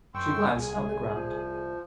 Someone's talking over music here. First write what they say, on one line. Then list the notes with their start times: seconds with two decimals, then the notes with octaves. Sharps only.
She glanced on the ground.
0.15 F#2 G5 C6 C#6 E6
0.55 C2 G#4 G#5
1.12 F3